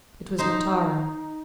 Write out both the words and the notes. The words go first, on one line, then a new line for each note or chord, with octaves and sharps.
It was Matara.
D#4 C5